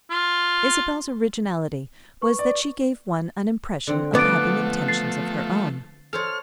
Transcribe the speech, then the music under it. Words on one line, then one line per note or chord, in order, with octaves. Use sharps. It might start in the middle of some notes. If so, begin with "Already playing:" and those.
Isabel's originality was that she gave one an impression of having intentions of her own.
F4
B4 C#6
D5
D3 C4
F3 A3 B3 D6 A6 D7
A6 C7
A4 C5 C#5 F6